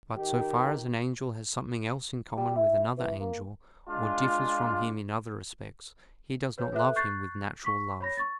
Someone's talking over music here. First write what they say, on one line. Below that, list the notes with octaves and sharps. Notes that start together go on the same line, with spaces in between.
But so far as an angel has something else in common with another angel, or differs from him in other respects, he does not love him with natural love.
D#3 G4
G3
E4
E3
A#3
G#3 D4 F4
B4 C#5
A4 B4 E5 F#6
C#6 F#6 G6 A6 C7
C#6 B6
C#5 B5 A#6
C#6 A6